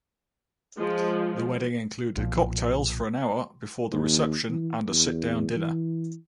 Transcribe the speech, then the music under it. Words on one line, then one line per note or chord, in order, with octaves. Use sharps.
The wedding included cocktails for an hour before the reception and a sit-down dinner.
F3 G#3
B1 A#2 C#3 F3
D#2
E3
E2
E3